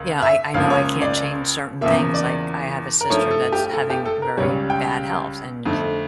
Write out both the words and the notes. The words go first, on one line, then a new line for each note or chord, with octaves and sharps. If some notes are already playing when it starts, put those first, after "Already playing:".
you know, I I know I can't change certain things. Like, I have a sister that's having very bad health, and,
Already playing: C#2 A#3
E5
C#2 C#3 F3 A#3 F5
C#5
D5
E2 C#3 F3 A#3 E5
D5
A#4
G2 F3 A3 C#5
A4
G4
A4
G4
A4
A#4
C#2 C#3 G3 C#5
G5
F2 D3 A3